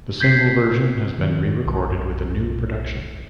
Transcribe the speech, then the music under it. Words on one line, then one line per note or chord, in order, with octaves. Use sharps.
The single version has been re-recorded with a new production.
G6 G#6 B6 C7
D#3
B1